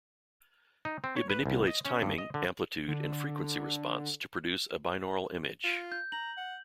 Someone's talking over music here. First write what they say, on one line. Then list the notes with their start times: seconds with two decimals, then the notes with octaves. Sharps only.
It manipulates timing, amplitude and frequency response to produce a binaural image.
0.85 D#4
1.04 C4
1.17 C#5
1.30 B4
1.46 C2
1.68 D#5
1.85 C#4
2.02 G2
2.18 D#5
2.34 D3
2.88 D3
5.64 F4
5.92 G6
6.12 A#5 F#7
6.37 F#5